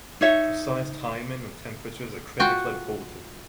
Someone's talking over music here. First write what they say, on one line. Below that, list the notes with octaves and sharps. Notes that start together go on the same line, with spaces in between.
Precise timing and temperatures are critically important.
D#4 C#5 E5
F4 F#4 G5